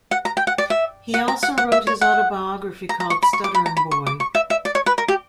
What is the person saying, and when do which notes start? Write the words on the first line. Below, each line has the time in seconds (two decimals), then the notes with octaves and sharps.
He also wrote his autobiography called "Stutterin' Boy".
0.11 F#5
0.25 A#5
0.37 G5
0.47 F#5
0.58 D5
0.70 E5
1.14 F#5
1.28 A#5
1.43 F#5
1.58 F#5
1.72 E5
1.87 C#5
2.01 F#5
2.89 A#5
3.00 A#5
3.10 C#6
3.22 B5
3.33 C#6
3.44 D6
3.55 B5
3.66 A#5
3.77 B5
3.91 C#6
4.07 D6
4.20 C#6
4.35 E5
4.50 E5
4.65 D5
4.75 C#5
4.86 B4
4.98 A#4
5.08 G4